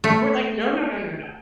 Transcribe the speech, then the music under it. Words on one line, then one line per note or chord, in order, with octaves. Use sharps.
We were like, "No, no, no, no, no."
A3